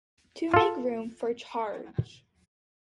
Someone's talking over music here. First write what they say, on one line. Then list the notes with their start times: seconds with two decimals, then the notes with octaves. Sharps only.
To make room, for Charge!
0.54 F4 A4